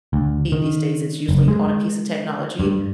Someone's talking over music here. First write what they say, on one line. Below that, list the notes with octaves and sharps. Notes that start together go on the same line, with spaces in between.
these days, it's usually on a piece of technology,
D2
D#3
F#1
G#3
G2